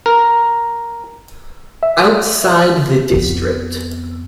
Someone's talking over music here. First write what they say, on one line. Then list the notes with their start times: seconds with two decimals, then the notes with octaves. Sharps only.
Outside the district.
0.06 A#4
1.83 E5
3.12 F2 B3